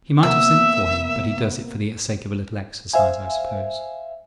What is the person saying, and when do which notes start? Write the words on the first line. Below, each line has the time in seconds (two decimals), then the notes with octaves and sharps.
He might have sent for him; but he does it for the sake of a little exercise, I suppose.
0.23 C3 A#3 B3 E5 E6
2.93 C5 E5 F5 G#5